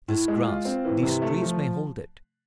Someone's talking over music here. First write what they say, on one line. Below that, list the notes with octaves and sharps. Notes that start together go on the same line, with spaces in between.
This grass, these trees, may hold it.
A2
G#3
F4
C4
E3
C3
A3
F3